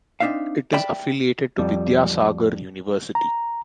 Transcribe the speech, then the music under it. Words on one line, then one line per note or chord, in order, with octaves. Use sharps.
It is affiliated to Vidyasagar University.
C4 D4 D#4 E5 F5
D5 E5 G5 B5
F2 G3
A#5